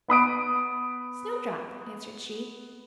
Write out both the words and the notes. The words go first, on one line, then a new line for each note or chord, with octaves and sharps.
"Snowdrop," answered she.
B3 B5 D#6 D7